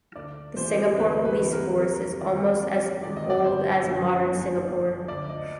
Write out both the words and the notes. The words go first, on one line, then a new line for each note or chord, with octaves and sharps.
The Singapore Police Force is almost as old as modern Singapore.
D2 D5
C3 E3 G3 C5
D2 B4
B4
C3 E3 G3
A#4
F2 A#4
C3 D#3 G#3 D5
F2 D5
C3 D#3 G#3 D5
D#5
D5
G1 C5
F#2 D3 F3
C5
G1 C#5
F#2 D3 F3 D5
D2 D5
D#5